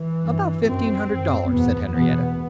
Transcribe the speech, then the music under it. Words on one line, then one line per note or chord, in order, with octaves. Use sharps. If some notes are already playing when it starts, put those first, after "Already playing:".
"About fifteen hundred dollars," said Henriette.
Already playing: E3
G2
F#2 C4
F#2
E2 B2 B3
E2 B2 B3